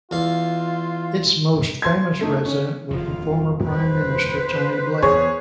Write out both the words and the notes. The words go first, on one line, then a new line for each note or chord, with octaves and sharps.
Its most famous resident was the former Prime Minister, Tony Blair.
E2 F4 F5
C6 G#6
A3 D#4
C#4
D#1 F2 F4
B4 C5
E2 B3 G#4 C#5